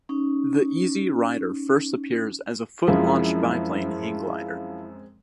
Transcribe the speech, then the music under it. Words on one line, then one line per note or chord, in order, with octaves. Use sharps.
The Easy Riser first appears as a foot-launched biplane hang glider.
C#4 D#4
F#2 F3 G#3 C4 E4